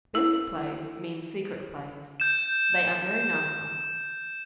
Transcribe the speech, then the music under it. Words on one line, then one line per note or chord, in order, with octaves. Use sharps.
Best plays mean secret plays; they are very nice ones.
E4
G6 E7